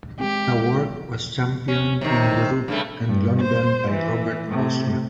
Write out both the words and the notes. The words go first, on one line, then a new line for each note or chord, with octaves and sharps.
The work was championed in Europe and London by Robert Hausmann.
G#3 B3 C4 G4
C#4
C3 D#3
G2 C#3 A3
G2
C5
E3
A2 C3